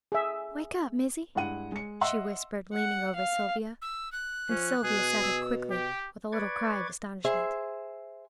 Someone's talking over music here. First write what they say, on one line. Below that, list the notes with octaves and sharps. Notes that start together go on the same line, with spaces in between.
"Wake up, Missy," she whispered leaning over Sylvia; and Sylvia sat up quickly, with a little cry of astonishment.
G#4 E5
G2 G#3 E4 F#5 D#7
G#3 C#7
D#5 E5 F#5 C6 E6
F#5
F5
E6
F#6
F3 C#4
B2 G#4
E6
G4 G5
B4 D5 C#6 D6 G#6
G#4 C5 E5